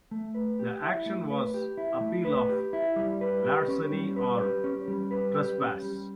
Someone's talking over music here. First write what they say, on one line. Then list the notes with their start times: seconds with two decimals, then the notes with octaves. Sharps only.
The action was appeal of larceny or trespass.
0.11 A3
0.35 B4
0.59 G4
0.82 E4
1.06 A3
1.30 B4
1.54 G4
1.77 E4
2.01 A3
2.25 B4
2.49 G4
2.73 E4
2.96 G3
3.21 B4
3.44 G4
3.68 C#4
3.93 G3
4.16 B4
4.40 G4
4.64 C#4
4.88 G3
5.11 B4
5.34 G4
5.58 C#4
5.82 G3